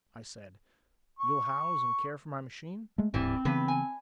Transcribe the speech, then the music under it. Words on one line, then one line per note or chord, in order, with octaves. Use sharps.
I said, "You'll house and care for my machine?"
C#6
G#3 A3
D1 D#2 G#2 E3 G3 C4
G2 C#3 E3 B3 B4
G#5